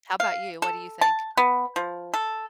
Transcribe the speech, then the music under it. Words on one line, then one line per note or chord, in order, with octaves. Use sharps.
How about you, what do you think?
F5
A4
A5
B3
F3
A4